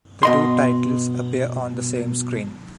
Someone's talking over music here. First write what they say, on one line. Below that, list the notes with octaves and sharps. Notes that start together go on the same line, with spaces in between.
The two titles appear on the same screen.
B2 D#5 C6